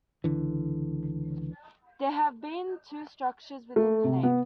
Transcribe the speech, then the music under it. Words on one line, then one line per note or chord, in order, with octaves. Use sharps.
There have been two structures with the name.
C#2 D3 E3
A3
C3
B3